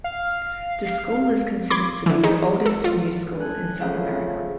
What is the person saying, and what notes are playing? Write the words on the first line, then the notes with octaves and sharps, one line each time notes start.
The school is considered to be the oldest new school in South America.
F5
B5 C6 D6 G#6
D3 E3
D#4 G#4 C5
A4
F4
A4 G#5 F#6
C#3 F3 A3 C#4 F5 F#5